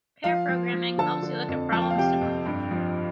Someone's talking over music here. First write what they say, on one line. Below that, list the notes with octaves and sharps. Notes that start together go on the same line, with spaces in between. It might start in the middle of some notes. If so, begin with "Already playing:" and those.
Pair programming helps you look at problems differently.
F3 F4 F5
F3
F3
D3 A4 A5
D3
F2
F3 A5
G5
F5
C3 G4 G5
F2
G2
F3